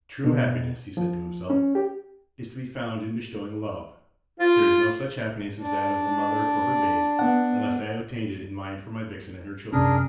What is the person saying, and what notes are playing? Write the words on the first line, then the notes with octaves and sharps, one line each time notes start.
"True happiness," he said to himself, "is to be found in bestowing love; there is no such happiness as that of the mother for her babe, unless I have attained it in mine for my vixen and her children."
B2
F3
C#4
G4
F4
D4
B3 F#5
F#2 C3 C#4 D4 G#4 A#4